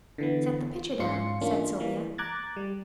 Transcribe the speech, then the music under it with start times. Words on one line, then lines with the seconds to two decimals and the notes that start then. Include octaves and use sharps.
"Set the pitcher down," said Sylvia.
0.18 D3 E3 B3
1.00 G#2 C#4 F4 C6 C#7
1.41 E3 A#3 C#4 D4 F4
1.80 E3 A#3
2.18 A#5 D6 F#6 G#6 A6
2.57 G3